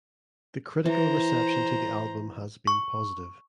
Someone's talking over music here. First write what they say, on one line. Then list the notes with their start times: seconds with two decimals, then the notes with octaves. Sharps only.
The critical reception to the album has been positive.
0.86 E3 C5 A#5
2.67 C#6